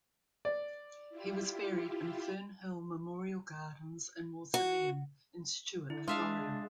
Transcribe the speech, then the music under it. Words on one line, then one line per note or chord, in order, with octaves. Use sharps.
He was buried in Fernhill Memorial Gardens and Mausoleum in Stuart, Florida.
D5
E4 F4 G4
F#4
D3 E4
G#3 D4 F4 E5 F5 D#6